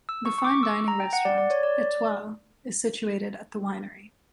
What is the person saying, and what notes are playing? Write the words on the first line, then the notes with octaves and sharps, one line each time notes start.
The fine dining restaurant "etoile" is situated at the winery.
E6
C#6
C#6
D6
C#6
E6
A#5
G5
F#5
D5
D5
C#5
D5